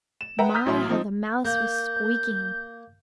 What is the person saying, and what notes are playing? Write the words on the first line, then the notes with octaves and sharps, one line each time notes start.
My! how the mouse was squeaking!
E7
B4 E5 F#5 G5 A#5
A#5 D#6 F6 G6 B6
A1 A2 F#3 E4 C6
F3 C4 D#4
A#3 G6